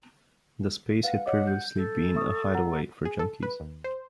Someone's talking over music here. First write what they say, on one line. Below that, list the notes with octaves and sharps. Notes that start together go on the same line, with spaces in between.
The space had previously been a hideaway for junkies.
B4 F5 F#5
C#5 D#5 F#5 D6
G6
A4
E5 C#6 D#6
F#5 A#5
G#4
A4
B4
D#2
C5